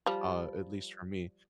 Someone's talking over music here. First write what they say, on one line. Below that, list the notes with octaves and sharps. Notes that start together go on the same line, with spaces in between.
uh, at least for me,
F3 G3